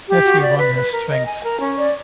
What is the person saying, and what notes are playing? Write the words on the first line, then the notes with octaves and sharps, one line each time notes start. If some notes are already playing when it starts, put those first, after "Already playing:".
Everyone has strengths.
G4
F#4
D5
B4
B4
A#4
D#5
G#5
A#4
C#4
D5